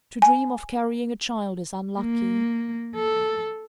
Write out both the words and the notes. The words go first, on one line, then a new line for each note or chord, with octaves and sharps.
To dream of carrying a child is unlucky.
G#5
A#3
A4